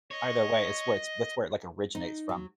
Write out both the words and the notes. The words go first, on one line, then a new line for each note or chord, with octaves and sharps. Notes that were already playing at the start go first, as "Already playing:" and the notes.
either way, it's where it's that's where it, like, originates from.
C#5 D#5
D#4
F#3